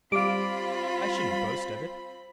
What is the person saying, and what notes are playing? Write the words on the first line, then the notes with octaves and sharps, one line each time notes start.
I shouldn't boast of it.
G3 C4 F4 F5 B5 D6